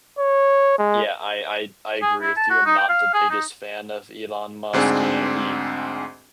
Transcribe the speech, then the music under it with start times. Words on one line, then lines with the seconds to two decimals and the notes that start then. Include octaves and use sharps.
yeah, I I I agree with you, I'm not the biggest fan of Elon Musk, you know, he
0.18 C#5
0.78 G#3
2.02 G#4
2.21 E4
2.36 A5
2.50 F#4
2.66 D#4
2.78 G5
2.89 F5
3.14 G#4
3.30 D#4
4.73 D2 G#2 C4 D4 G#4